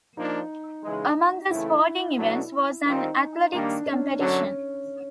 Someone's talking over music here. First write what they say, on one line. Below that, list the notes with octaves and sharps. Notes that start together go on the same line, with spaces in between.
Among the sporting events was an athletics competition.
F3 A#3 D4 D#4
C#3 E3 G#3
C#3 E3 A3 C4 E4
B2 F#3 A3 D4
D#3 G3 C4 D#4 F4
D#3 G3 A#3 D4
C#4
F#2 D3 F#3 C#4